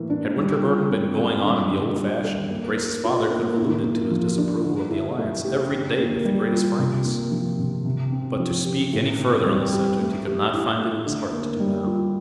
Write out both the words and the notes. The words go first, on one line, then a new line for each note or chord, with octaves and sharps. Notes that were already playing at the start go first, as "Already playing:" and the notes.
Had Winterborne been going on in the old fashion, Grace's father could have alluded to his disapproval of the alliance every day with the greatest frankness; but to speak any further on the subject he could not find it in his heart to do now.
Already playing: A2 E3 A#3
D4
G3
F4
C4
G3
D3
D4
G3
A4
A#3
A#4
F4
A#3
A2
A#3
F3
D4
D3
E4
A3
G4
D3
A#3
G3
F4
C3
A#3
F3
C3
C3
C4
F3
G4
A2
C4
G3
G4
A3
G4
E4
A3
D3
A#3
G3
F4